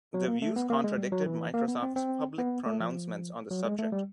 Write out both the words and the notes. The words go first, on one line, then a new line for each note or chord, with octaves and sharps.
These views contradicted Microsoft's public pronouncements on the subject.
F#3
A#3
A3
B3
A#3
G#3
G3
F#3
E3
A#3
B3
C4
C4
B3
A3
F3
F#3
G#3
A3
G3